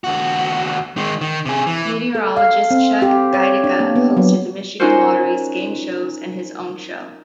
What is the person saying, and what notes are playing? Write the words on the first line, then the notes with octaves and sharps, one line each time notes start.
Meteorologist Chuck Gaidica hosted the Michigan Lottery's game shows and his own show.
D#2 F#4
D#3 G#3
D#3
C3 G#4
E3
A4
F5
C4
G4
C#5
D4
A#3
B3
F#3
C#4 D#4 F4 F#4 A#4 C5